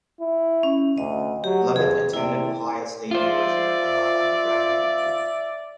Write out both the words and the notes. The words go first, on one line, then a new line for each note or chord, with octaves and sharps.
Lovett attended Ohio State University for her undergraduate degree.
E4
C#4
D2 D#5
F#3 G4
F2 G#4
C3 E4 D5
F4 C5 D5 E5